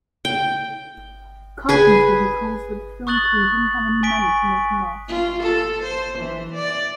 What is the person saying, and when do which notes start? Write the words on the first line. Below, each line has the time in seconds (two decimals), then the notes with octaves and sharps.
Carpenter recalls that the film crew didn't have any money to make a mask.
0.25 G5
1.69 G#4 B4 G#5
3.07 C#6 D#6 F#6 A6 F#7
4.03 G#5 C#6 B6 D7
5.08 F4
5.43 A4
5.82 C5
6.18 E3
6.54 D5